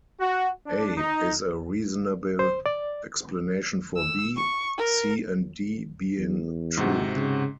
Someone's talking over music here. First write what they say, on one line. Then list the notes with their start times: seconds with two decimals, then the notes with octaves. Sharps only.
"A" is a reasonable explanation for "B", "C", and "D" being true.
0.19 F#4
0.66 D4
0.97 D#4
2.39 C5
2.66 D5
3.96 E6
4.36 C#6
4.78 A#4
6.17 E2
6.77 G#2 C3 F#4
7.16 C#3